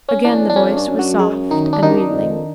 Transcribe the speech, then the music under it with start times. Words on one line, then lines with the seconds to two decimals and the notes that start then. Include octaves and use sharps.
Again the voice was soft and wheedling....
0.09 C#4
0.25 E2 D4
0.50 D4
0.56 F2 C#4
0.77 G2 D4
0.89 F#2
0.99 F#3 F#4
1.19 G#3 G#4
1.51 D#3 D#4
1.73 D4
1.83 F#2 D#3 D#4
2.10 E2
2.14 F2